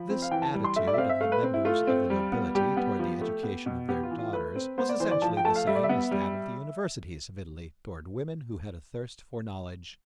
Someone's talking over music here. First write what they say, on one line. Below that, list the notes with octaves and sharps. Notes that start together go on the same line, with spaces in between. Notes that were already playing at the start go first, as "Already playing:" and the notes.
This attitude of the members of the nobility toward the education of their daughters was essentially the same as that of the universities of Italy toward women who had a thirst for knowledge.
Already playing: F3 B5
C4
F5
E3 G5
A5
G3
C6
A3 E5
D5
E5
C4 F5
E5
A3 F5
B4
C4
E4
A3 F4
C4
G3
B3
G3 G4
B3
F3
A3
B3
B2
B3 G4
F4
E3
F4
A3 B4
C4
B3 C5
D5
E3 C5
D5
F3 A5
G5
A3 A5
F5
G3 E5
D5
E5
B3
G3